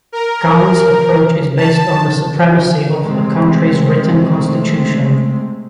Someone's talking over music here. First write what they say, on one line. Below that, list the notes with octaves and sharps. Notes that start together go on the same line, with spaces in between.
Kant's approach is based on the supremacy of a country's written constitution.
A#4
A5
C3 G#3 A3 C4